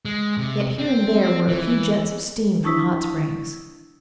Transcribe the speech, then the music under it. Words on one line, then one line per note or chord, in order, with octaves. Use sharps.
Yet here and there were a few jets of steam from hot springs.
G#3
C3
C4
E3
D4 E4 C#6 D#6 E6 B6